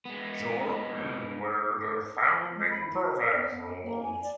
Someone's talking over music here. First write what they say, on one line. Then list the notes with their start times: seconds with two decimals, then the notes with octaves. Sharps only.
Jordan were the founding professionals.
0.05 G#3 B3
2.56 G#3
2.70 B5
2.84 E4
3.02 F#4
3.22 A#4
3.35 B3
3.49 B3
3.83 A#3
4.03 G#5
4.23 D5